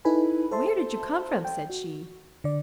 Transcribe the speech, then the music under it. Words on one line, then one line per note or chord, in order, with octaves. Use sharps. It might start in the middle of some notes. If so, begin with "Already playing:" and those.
"Where did you come from?" said she.
D#4 E4 A4 B4 G#5 B5
A4 C5 E5 A5 C6
G5
F#4
D3 D5